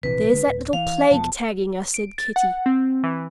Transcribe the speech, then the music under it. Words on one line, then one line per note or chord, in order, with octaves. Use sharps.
"There's that little plague tagging us," said Kitty.
A#1 C3 E3 B4
D3 G#3
D1
E3 F5
E1 F3 B3 A5
D7
A6
F#5
C4
E3